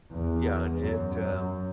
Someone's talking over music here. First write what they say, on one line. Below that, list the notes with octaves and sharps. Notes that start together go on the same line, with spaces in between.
Yeah, and it, um,
E2
F#2
F#2